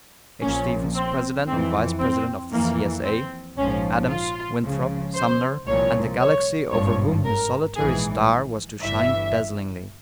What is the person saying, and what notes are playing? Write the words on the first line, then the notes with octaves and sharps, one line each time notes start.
H. Stephens, President and Vice-President of the C. S. A.; Adams, Winthrop, Sumner, and the galaxy over whom his solitary star was to shine dazzlingly.
A#1 A#2 F3 C#4
C4
F2 E3 C4
C4
F2 E3 A#3
C4
A#1 G#2 F3 C#4
F4
C#2 C#3 F3
C5
C2 A#2 F3 C#5
C#5
G#1 G2 F3 C#5
A#4
A#1 G#2 E3 G#4
G1 G2 E3 E5